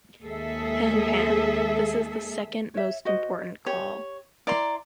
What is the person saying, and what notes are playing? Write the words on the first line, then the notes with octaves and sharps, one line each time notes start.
Pan-pan: This is the second most important call.
D#2 G#3 G#4 A4 E5
C#5 E5
F#4 C5 D#5
G4 C#5
E4 D5 A#5 C6